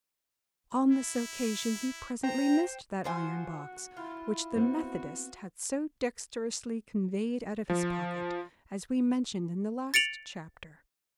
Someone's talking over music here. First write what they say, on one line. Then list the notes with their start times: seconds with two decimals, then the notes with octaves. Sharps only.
On this occasion he presently missed that iron box which the methodist had so dexterously conveyed out of his pocket, as we mentioned in the last chapter.
0.91 E4
2.23 C5 G5 A#5
3.04 F3 F#4 C5 F#5 G#5
3.97 E4 F4
4.55 B3 C4 F#4 C5
7.70 F3
9.94 A6 C#7 D7 F7 F#7